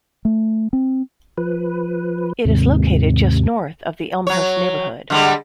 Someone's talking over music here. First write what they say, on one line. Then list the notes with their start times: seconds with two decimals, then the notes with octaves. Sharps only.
It is located just north of the Elmhurst neighborhood.
0.25 A3
0.73 C4
1.38 F3 B4
2.45 D#2 G#2 C3
4.27 F#3 C#5
5.10 D3 G3 G#3